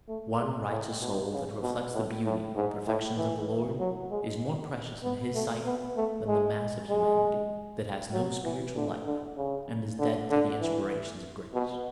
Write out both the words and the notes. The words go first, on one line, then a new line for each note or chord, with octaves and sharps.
One righteous soul that reflects the beauty and perfections of the Lord, is more precious in His sight than the mass of humanity that has no spiritual life, and is dead to the inspirations of grace.
A3
G#3
A2
B2
C#3
B2
A2
A2
G#2
A2
E3
F#3
G#3
B3
A3
B3
A3
G#3
G#3
F#3
E3
D3
D3
C#3
D3
D3
E3
B2